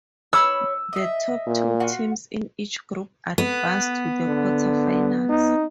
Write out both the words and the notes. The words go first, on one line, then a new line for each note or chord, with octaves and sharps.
The top two teams in each group advanced to the quarter-finals.
C#5 B5 E6 F6
D#5 E5
A#2
F4 F#4
B3
D3
D#4